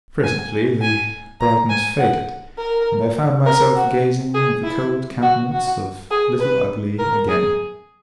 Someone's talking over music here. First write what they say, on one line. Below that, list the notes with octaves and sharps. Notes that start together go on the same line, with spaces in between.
Presently the brightness faded, and I found myself gazing at the cold countenance of Little Ugly again.
G#5
G#5
A#5
G#5
F#5
A#4
A#4
F#4
G#4
E4
F#4
F#4
G#4
B4
A#4
G#4